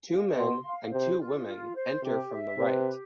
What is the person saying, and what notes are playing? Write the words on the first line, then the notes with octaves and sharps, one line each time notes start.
Two men and two women enter from the right.
F5
B2 C6
F5
C3 C5
F4
F4
C5
C3 G4
E5
C3 B4
G4